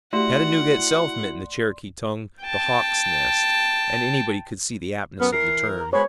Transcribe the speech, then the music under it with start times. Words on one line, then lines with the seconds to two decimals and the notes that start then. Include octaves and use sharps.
Chattanooga itself meant in the Cherokee tongue "the hawk's nest," and anybody could see the aptness of the term.
0.13 A3 E4 F#4 G4 D5 E5 F#5 C6
2.43 G5 A5
5.19 F#2 B3 F6
5.32 E3 A#4 C7
5.80 A#5
5.93 G#3 B3 C5 C#5 B5